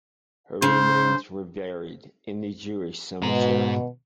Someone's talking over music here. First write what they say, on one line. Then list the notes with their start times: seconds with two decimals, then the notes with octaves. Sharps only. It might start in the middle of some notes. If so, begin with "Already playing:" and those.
Her remains were buried in the Jewish cemetery.
0.62 C#3 C5
3.22 G#2 B2 A#5